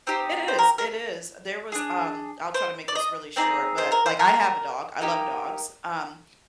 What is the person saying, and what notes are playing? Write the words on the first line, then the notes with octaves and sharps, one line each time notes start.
It is, it is, there was, um, I'll try to make this really short but, like, I have a dog, I love dogs, um,
C4 D#4 G4 C5
C5
A#4
A#4
D4 G#4
C5
D5
D#5
C4 D#4 G#4 D5
C5
A#4
C5
A#4
A#3 D#4 G4